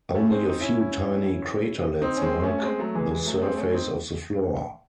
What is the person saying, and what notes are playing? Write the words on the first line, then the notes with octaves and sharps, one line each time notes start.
Only a few tiny craterlets mark the surface of the floor.
A3 C#4
G#3 C4
C4 D#4
C#4 E4
C4 D#4
C#4
G#3 C4
A3 C#4
A3
G#3 C4
F#3 A3
E3 G#3
E3 G#3
F#3 A3
G#3 C4
A3 C#4
C4 D#4